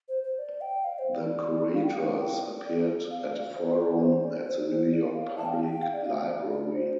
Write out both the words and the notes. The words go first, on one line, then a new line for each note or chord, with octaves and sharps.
The curators appeared at a forum at the New York Public Library.
C5
C5
D5
G5
F5
C5
D5
F5
G5
F5
G5
D5
D5
F5
D5
C5
D5
C5
D5
C5
C5
D5
F5
A5
G5
F5
G5
F5
D5
F5
D5
D5
C5